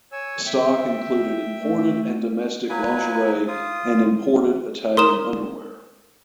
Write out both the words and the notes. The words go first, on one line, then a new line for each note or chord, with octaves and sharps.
Stock included imported and domestic lingerie and imported Italian underwear.
C#5 G#5 E6
E5 G5
A3
F#3 A#3 B4 G#5
F4 D#6
A#4 C6 D#6 E7